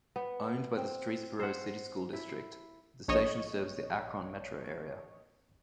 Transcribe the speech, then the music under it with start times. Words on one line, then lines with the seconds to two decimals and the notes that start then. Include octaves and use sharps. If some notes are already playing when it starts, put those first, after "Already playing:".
Owned by the Streetsboro City School District, the station serves the Akron metro area.
0.16 B3
0.77 C4
1.40 C5 F#5
2.13 E4
3.08 A#1 C#5 D#5